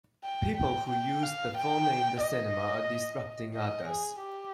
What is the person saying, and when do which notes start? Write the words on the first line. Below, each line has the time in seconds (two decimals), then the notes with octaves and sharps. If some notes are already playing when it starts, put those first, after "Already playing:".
People who use the phone in the cinema are disrupting others.
0.24 G5
0.57 G5
0.90 G5
1.23 F5
1.57 G5
2.22 D#5
3.55 D#5
3.87 G#4
4.21 G4